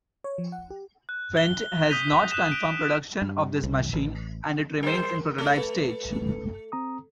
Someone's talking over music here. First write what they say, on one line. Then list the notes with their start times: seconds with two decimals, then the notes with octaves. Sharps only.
Fendt has not confirmed production of this machine, and it remains in prototype stage.
0.24 C#5
0.38 F3
0.52 F#5
0.70 G4
1.09 F#6
1.37 G7
1.89 D#6 G6 A#6 B6 D#7 F7
2.31 F#6 E7
2.52 D7
3.22 G2
3.64 C2
3.93 A1
4.83 G3 A#4 C5
5.38 A3
5.58 B4
6.72 C4 A#5 D#6